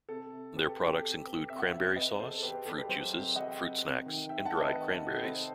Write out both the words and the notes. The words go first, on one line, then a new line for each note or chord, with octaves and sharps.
Their products include cranberry sauce, fruit juices, fruit snacks, and dried cranberries.
C3 A4
C3
B3 G4
A4
C3 G4
C3 A4
B3
C3 E5
F#5
C5 E5
C3
C3 B4 D#5
E2 A4 C5
A4
E2 G4 B4
G4
E2 A4
G4 B4
F#3 A4 C5
C3
F#3 D#5 F#5
C3
C3
D#3
D#3 E5 G5
F#5 A5
A3
B4 D#5
D#3
D#3
C3 A4 C5